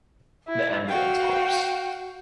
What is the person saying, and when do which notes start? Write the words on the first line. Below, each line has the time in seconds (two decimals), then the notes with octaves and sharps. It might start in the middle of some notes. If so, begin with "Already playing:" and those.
The Ambulance Corps.
0.48 E4
0.88 F#4 F5 G5